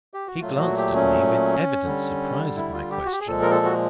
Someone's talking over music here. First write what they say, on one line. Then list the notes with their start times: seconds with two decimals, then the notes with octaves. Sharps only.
He glanced at me with evident surprise at my question.
0.14 G4
0.27 F#4
0.41 A#2 F#3 A3 F4
0.59 F#4
0.77 G4
0.95 C#4
1.84 D3 G3
2.56 E4
2.74 F4
2.91 G4
3.06 F#4
3.12 G4
3.20 G#4
3.27 A#2 F3 G#3 A4
3.42 A#4
3.51 A4
3.65 F#4